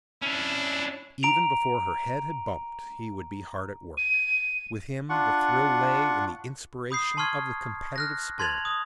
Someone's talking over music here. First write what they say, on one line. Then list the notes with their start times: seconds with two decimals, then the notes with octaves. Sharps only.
Even before her head had bumped, he would be hard at work. With him the thrill lay in the inspiration of the competitive spirit.
0.22 C#4 D4 E4
1.23 A#5 D7 F7
3.97 D#7
5.09 D4 F4 F#5 C#6
6.91 B5 D#6 G6 C7
7.17 A5 C6 C#6 F6 G#6
7.96 F6 F#6 A#6
8.39 A5 C6 G#6 A6 F7 F#7
8.65 D#6